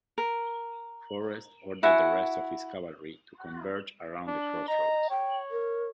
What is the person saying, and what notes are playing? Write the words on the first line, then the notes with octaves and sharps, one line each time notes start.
Forrest ordered the rest of his cavalry to converge around the crossroads.
A#4
E4 F#4 F#5 G#5
D4
D#5 A#5
C#5 G5
A#4